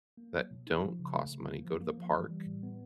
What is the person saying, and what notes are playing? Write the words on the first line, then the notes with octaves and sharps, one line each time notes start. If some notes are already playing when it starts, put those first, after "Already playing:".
that don't cost money; go to the park,
A#3
F#3
B2
D#4
F3
C#3
A3
C#3
A#3
F3
A#3
F3
E3
G3
A2
B3